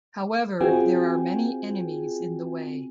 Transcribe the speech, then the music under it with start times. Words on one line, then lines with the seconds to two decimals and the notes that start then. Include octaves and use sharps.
However, there are many enemies in the way.
0.60 C4 F4 F#4 G#4 G5 G#5